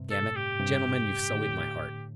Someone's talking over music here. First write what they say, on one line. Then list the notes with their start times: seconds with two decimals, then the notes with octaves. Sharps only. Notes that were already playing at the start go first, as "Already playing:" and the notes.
Damn it!... Gentlemen, you've sullied my heart!
Already playing: G2 C3
0.11 A4
0.23 A2
0.36 G4
0.60 G2 C3
1.34 A2 D3